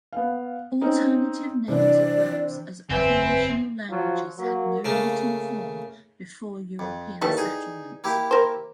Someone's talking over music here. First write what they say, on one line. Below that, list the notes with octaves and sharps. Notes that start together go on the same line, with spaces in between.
Alternative names arose as Aboriginal languages had no written form before European settlement.
B3 F5
C4 C#4 D#4
C3 E3 D4 D5
F#1 E2 C4 B4 E5 G#5
F3 F#3 F4
F#3 A#3
C#3 A3 A#3
F2
D#2 E3 G3 A3 A5
D#4 G#4
A#3 E4 G4
A#4 C5